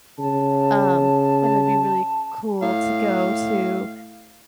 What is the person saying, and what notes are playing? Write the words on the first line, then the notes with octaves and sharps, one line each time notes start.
Um, and it'd be really cool to go to,
C#3 A5
A2 F5